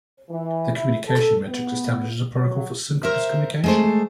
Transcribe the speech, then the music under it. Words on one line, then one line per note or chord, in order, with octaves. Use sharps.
The "communication matrix" establishes a protocol for synchronous communication.
E3
E4
A4
B3
F#3
A#4 C5 E5
G#3 A3 C5